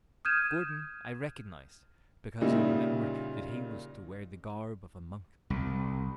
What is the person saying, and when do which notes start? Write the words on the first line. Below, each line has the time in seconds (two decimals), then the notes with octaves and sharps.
Gordon I recognized because I remembered that he was to wear the garb of a monk.
0.25 D#6 F6 G6 G#6 D#7 E7
2.41 A#2 C#3 G3 D#4 E4
5.50 C2